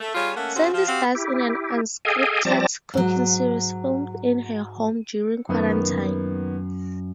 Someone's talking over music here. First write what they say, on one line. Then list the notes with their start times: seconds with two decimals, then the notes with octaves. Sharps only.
Sandy stars in an unscripted cooking series filmed in her home during quarantine.
0.01 A3
0.15 G3 F4 G#4 C#5
0.36 A3 A#3 C#4 F#5
0.55 C#3 C4 F#4
0.73 F3 F4
0.88 C4 F#4 G4 F5
1.15 E4 G4
2.05 G#4 A4 D#5 F5 G5 G#5
2.45 F3 G3 C4 D5 A5 A#6
2.94 G#2 F#3
5.49 F#2 D#3 A#3 B3